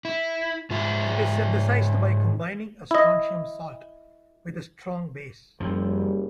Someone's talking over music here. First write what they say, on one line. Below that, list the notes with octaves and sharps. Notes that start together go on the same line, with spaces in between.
It is synthesized by combining a strontium salt with a strong base.
E4
G#2 F4 E5
E4 D#5
F#1 F#2 F3 G3